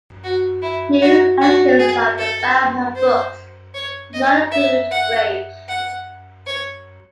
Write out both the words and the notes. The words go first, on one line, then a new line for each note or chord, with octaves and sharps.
New editions of "The Bachman Books" do not include "Rage".
F#4
E4
F#4
F#4
G#4
A4
C5
C#5
D#5
E5
F#5
F#5
C#5